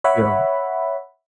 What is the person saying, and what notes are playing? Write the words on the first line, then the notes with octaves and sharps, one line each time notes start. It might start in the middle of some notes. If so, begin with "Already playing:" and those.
you know?
C#5 E5 F#5 B5